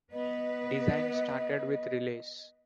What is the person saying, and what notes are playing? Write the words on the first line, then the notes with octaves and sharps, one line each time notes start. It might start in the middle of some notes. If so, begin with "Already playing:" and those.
Design started with relays.
B3 B4 D#5